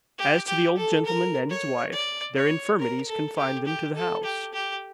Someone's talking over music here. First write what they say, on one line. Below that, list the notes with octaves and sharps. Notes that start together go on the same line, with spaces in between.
As to the old gentleman and his wife, their infirmities confined them to the house.
G4
G4
A4
A#4
C#5
D5
C#5
A#4
A4
G4
G4
A4
G4
G4